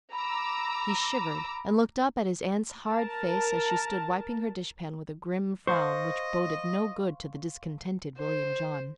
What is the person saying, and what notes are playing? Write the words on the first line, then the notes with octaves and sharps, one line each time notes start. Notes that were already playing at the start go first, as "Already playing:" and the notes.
He shivered, and looked up at his aunt's hard face as she stood wiping her dish-pan with a grim frown which boded no good to the discontented William John.
A#5 B5 D6 E6
A#4 A5
C5 D#5 F5 C6 C#6
C5